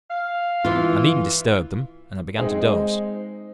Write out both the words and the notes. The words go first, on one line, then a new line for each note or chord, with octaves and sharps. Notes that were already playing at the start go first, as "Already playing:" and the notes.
I needn't disturb them; and I began to doze.
F5
E3 F4
G#3 C4 D#4